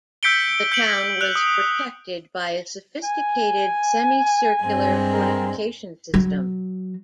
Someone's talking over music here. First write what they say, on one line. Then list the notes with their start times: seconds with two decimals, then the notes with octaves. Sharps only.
The town was protected by a sophisticated semicircular fortification system.
0.23 E6 G6 B6 C#7 D7 G7
0.72 G6 C#7 D7 F#7
1.21 F#6 F7
1.35 D#6
3.05 G#5
4.63 G2 G#3 C4
5.12 A#4
6.14 F#3